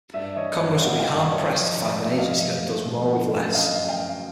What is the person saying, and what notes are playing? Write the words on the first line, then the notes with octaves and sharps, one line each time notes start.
Congress would be hard-pressed to find an agency that does more with less.
G2 D5 E5
E3 C#5 D#5
G2 B4 C#5
F#5
E3 D#5 F5
F5 G5
G2
D5 E5
G2
C#5 D#5
F3 C#5 D#5
F3
D5 E5
F3
E5
F3 D#5 F5
A2
A2
F3
D3
F#2
F#2 D#5 F5
F#2
F5 G5
F#2